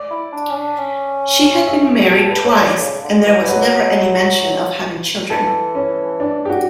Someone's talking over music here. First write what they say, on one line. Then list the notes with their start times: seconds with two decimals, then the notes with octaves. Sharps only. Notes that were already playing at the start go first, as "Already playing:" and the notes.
She had been married twice and there was never any mention of having children.
Already playing: D5
0.11 E4
0.32 D4
0.50 C#4
0.55 D4
0.78 C#4
1.68 E5
2.03 G4
2.17 A4
2.31 B4
2.44 C#5
2.54 C#3
2.58 D3 D5
2.81 C#3
3.03 D3
3.26 E3
3.34 F#3
3.41 E3
3.48 F#3 B4
5.30 E3 A4
5.75 C#4
6.20 D4
6.45 G4
6.50 F#4